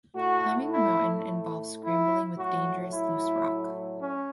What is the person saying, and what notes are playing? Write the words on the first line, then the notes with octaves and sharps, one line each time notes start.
Climbing the mountain involves scrambling with dangerous loose rock.
A2 A3 F#4
E4
E4
A2 F#3 A3 F#4
E4
C#4